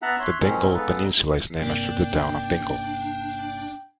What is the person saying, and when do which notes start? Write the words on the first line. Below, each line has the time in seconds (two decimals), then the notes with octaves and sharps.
The Dingle Peninsula is named after the town of Dingle.
0.02 B3 E5 F#5 A5 A#5 F#6
0.19 C#5 E5 C6 F#6
0.40 B2 D#3 F3 F#3 C4 C#4
0.73 C#3 G#3 B3 D#4 A4 B4
1.62 G2 C3 A#3 D4 G5